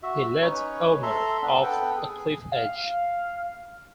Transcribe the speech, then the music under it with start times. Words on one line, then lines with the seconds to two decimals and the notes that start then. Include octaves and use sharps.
He leads Elmer off a cliff edge.
0.03 F#4 E5
0.41 C#4 D#4 B4 C#5
1.03 A4 E5 A#5 C6
1.42 B3 D4
1.63 B3 A4 B4 G5
1.97 G#4
2.52 F5